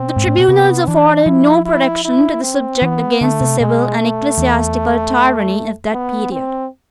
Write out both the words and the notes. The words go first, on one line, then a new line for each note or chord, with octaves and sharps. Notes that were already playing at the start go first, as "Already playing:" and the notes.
The tribunals afforded no protection to the subject against the civil and ecclesiastical tyranny of that period.
Already playing: B2 C4
G#2
A2
B2
C3 B3
E3 D4
F3 E4
E4
E4
C4
E3 B3
D3 A3
C3
B2 G#3
A3
E2
B3
C4